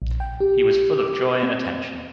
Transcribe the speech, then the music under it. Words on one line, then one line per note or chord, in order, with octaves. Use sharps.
He was full of joy and attention.
A#1
G5
G4
D6
C4